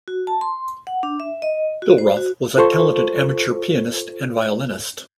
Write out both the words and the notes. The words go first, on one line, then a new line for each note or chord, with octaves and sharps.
Billroth was a talented amateur pianist and violinist.
F#4
A5
C6
F#5
D4
E5
D#5
F#4
C5
F#4
F4 A4 C5 C#6